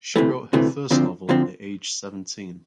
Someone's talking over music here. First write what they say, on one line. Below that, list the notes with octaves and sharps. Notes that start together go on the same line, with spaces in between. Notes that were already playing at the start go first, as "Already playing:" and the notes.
She wrote her first novel at age seventeen.
D2 C3 E3 A3
D2 C3 E3 A3
D2 D3 F3 C4
D2 D3 F3 C4